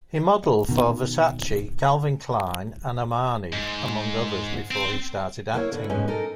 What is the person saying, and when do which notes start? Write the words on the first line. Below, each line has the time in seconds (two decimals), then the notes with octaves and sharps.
He modeled for Versace, Calvin Klein, and Armani, among others before he started acting.
0.69 B2 D#3
3.52 G#2
4.71 C4
5.54 A#3 E4 B4 C#5
5.72 D3 E4
5.90 G#2 B2 G#3 C#4
6.08 D#4 A4 A#4